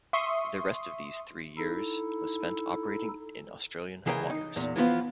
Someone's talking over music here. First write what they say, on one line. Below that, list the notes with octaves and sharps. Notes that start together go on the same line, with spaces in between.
The rest of these three years was spent operating in Australian waters.
E5 C6 C#6 D#6
D#4 E4 A4
C#2 E3 G#4 A#4 D#5 G5
D#4
E2 A#2
E3 F3 B3 F4